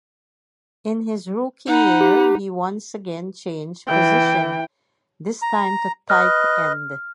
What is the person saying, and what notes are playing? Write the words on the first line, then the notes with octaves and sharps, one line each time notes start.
In his rookie year he once again changed positions, this time to tight end.
D#4 F#5 B5
G4
E3 G5
A#5
B4 D#5 F6